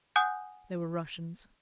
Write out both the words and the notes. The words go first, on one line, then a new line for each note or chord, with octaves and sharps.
They were Russians.
F#5 G#5 D#6 F#6 G6